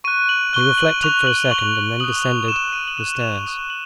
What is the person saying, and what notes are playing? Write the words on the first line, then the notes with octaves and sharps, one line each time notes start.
He reflected for a second and then descended the stairs.
C#6 F#6 D#7
F#7
C#6 F#6 G7
F#7
C#6 F#6 F7
F#7
G7
C#6 F#6 F#7
F#7
D#6 F#6 F#7
D#6 F#6 E7
D#7
F#7
D#6 F#6 F7
E7
F7
D#6 F#6 F7
F#7